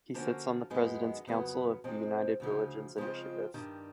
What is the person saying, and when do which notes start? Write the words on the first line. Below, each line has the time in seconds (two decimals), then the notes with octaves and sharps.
He sits on the President's Council of the United Religions Initiative.
0.14 D3 F3 A#3 C#4 F#4
0.70 F#2 D#3 G#3 B3
1.27 F2 C#3 F#3 B3
1.84 C3 F3 G#3 C4
2.40 D2 C#3 F3
2.96 C#3 F3 G#3 C4 F4
3.54 G2 D#3 G3